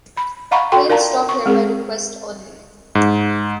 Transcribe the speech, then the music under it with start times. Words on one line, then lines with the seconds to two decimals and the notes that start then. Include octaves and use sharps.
Trains stop here by request only.
0.17 B5
0.51 D#5 F5 F#5 A#5 B5 C#6
0.72 F#4 A4 G5 C6 C#6
0.89 F4 A#4 D5 F5 A5 A#5
1.29 C#6
1.46 G#3 C4 G#4 A#4
2.95 G#2